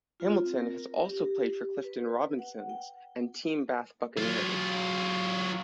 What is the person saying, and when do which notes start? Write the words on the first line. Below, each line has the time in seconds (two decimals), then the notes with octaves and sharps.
Hamilton has also played for Clifton Robinsons and Team Bath Buccaneers.
0.20 F4
0.44 C4
0.58 A#4
1.05 G4
1.84 B4
2.39 F#5
2.69 G5
4.18 F#3 F4